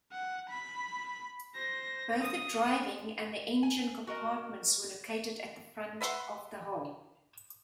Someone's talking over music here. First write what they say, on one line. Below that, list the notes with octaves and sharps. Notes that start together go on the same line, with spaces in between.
Both the driving and engine compartments were located at the front of the hull.
F#5
B5
C5 A#6
D#6
G#5
F#4 A#4 D#5
B4 E5 F#5 C6